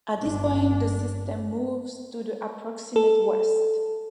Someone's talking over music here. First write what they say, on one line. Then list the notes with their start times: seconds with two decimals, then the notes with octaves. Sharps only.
At this point the system moves to the approximate west.
0.19 G1 D4
2.96 A4